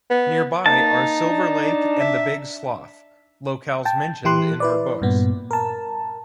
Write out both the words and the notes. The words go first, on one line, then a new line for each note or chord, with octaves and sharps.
Nearby are Silver Lake and the Big Slough, locales mentioned in her books.
B3
A#3 D#4 A5
D4
E5
G5 A5
E3 E4 G4 C6 F#6
E4 B4 D5
G2 A#2 B3
A#4 A5